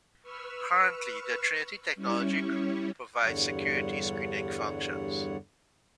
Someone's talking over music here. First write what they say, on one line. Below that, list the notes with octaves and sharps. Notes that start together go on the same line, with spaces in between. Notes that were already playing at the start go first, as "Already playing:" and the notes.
Currently the Trinity Technology Group provides security screening functions.
B4 C#6 E6 F6
G3 C#4 E4 C#5
E2 G2 D3 G3 C#5 F#5